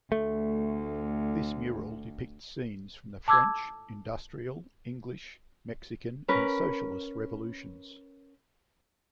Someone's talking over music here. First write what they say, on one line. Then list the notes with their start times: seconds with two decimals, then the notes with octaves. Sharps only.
This mural depicts scenes from the French, Industrial, English, Mexican and Socialist Revolutions.
0.12 D2 A3
3.28 A5 D6 E6 G#6
6.28 C#4 A#4 B4 B5